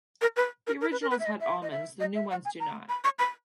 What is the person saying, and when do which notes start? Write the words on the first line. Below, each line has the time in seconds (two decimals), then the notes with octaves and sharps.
The originals had almonds, the new ones do not.
0.22 A#4
0.36 B4
0.67 A#4
0.81 A#4
0.92 B4
1.02 A#4
1.11 B4
1.20 E5
1.26 D#5
1.40 E5
1.62 D#5
1.71 E5
2.00 D#5
2.15 E5
2.31 F#5
2.45 G#5
2.60 A#5
2.89 B5
3.04 C#6
3.19 B5